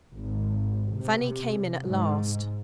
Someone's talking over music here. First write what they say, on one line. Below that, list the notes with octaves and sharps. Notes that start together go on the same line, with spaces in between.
Fanny came in at last.
G#1
C3
G#2